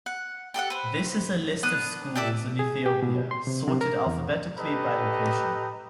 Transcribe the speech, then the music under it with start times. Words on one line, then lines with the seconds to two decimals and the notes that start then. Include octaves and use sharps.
This is a list of schools in Ethiopia, sorted alphabetically by location.
0.06 F#5
0.54 G4 A4 E5 F#5
0.70 B4 C5
1.63 B3 D4 D#6 F#6
2.15 G4 A4 D5 E5
2.59 G#4
2.86 G4
3.02 B2
3.31 C6
3.47 C3
3.67 C3
3.81 A#4
4.06 E2
4.59 G4 A4 B4 D#5 G5 A#5